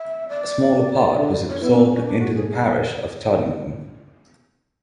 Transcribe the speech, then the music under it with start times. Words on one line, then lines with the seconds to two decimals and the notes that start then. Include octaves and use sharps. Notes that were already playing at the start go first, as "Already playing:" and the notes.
A smaller part was absorbed into the parish of Toddington.
Already playing: E5
0.29 D5
1.17 D3
1.28 D5
1.49 C#5
1.60 B3 E4
1.71 D4
1.82 C#4
1.93 C#4
2.05 D4
2.19 F#4
2.34 G#4